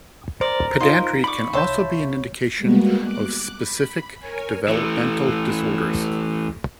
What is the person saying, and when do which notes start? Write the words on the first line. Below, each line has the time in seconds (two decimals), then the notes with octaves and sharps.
Pedantry can also be an indication of specific developmental disorders.
0.41 A#4 C5 D5
0.80 D#4 F4 C6
1.24 D5 B5 C#6 D6
1.53 C2 C#5 E5 A5 C6 G6
2.58 G3 G#3 A#3 B3 F#4
2.98 D6 F#6
3.57 B5
4.20 A#4 C#5 G#5
4.68 E3 A3